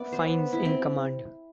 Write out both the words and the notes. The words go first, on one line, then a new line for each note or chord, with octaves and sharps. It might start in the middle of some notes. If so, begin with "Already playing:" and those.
Fines in command.
Already playing: B3 D5 E5
C5
E4
C4